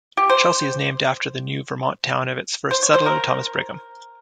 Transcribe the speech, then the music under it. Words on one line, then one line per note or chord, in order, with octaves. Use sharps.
Chelsea is named after the New-Vermont town of its first settler, Thomas Brigham.
G4
C5
C5
C#5
C5
A#4